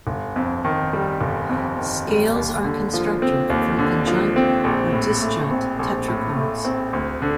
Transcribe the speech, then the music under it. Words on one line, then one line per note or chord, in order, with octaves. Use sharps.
Scales are constructed from conjunct or disjunct tetrachords.
G1
F2
D#3
G3
G1
F2
D#3
G3
D#2
D3
F3
C4
D#2
D3
F3
C4
A#1
A2
A3
C4
A#1
A2
A3
C4
D2
D3